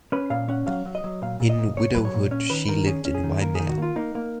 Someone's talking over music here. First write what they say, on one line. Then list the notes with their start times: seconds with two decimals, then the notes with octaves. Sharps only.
In widowhood she lived in Waimea.
0.12 C#4 B4
0.30 A#2 F5
0.48 C#4 F#5
0.67 F#3 F5
0.85 F#3
0.95 D#5
1.04 F#3
1.22 A#2 F5
1.40 A#2
1.49 D#5
1.58 A#2
1.77 A#2 C#5
1.95 F#3 B4
2.05 C#5
2.14 A#2
2.31 C#4 C#5
2.50 D#3 B4
2.68 D#3 A#4
2.86 C#4 G#4
3.05 C#4
3.15 G#4
3.24 D#3
3.41 A#3 A#4
3.55 D#3 G#4
3.69 F#4
3.78 A#3 F4
3.96 A#3 D#4
4.15 A#3